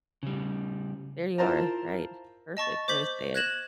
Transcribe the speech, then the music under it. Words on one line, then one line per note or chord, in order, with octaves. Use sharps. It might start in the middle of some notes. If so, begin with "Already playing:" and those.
There you are, right, perfect way to say it.
C#3 G3
E4 F4 A#4 C5 A5 A#5
D#5 A5 C#6 A6
C5 D6 G6 B6 F#7
F#6 G#6 A#6 E7 F#7